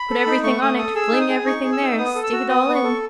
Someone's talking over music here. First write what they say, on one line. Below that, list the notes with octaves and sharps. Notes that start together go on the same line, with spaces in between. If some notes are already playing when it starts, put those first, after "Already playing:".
Put everything on it, fling everything there, stick it all in.
Already playing: B5
A4
D#4
A3 C#6
A3 D#6
A4 D#6
G#4 E6
D#4
D#6
G#4
D#4 C#6
G#4
E6
D#4
B3 D#6
A4
E6
F#4
B3 D#6
B3
C#6
A4